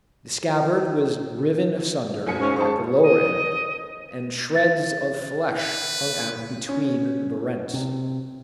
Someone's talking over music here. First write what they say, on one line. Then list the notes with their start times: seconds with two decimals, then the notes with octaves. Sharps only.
The scabbard was riven asunder at the lower end, and shreds of flesh hung out between the rents.
2.27 F#1 G#5 C#7
2.40 G#2 C#4
2.56 G#2 A5 C#6
3.02 D#5
4.56 A6
5.59 B4
6.69 C#4
7.74 C3